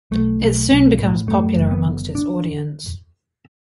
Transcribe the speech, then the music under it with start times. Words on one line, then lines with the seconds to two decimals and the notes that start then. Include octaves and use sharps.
It soon became popular amongst its audience.
0.11 B1 A3
0.40 B1
0.70 B1
0.99 A2
1.27 F#2 A3
1.56 F#1
1.71 B3
1.86 D3
2.15 D4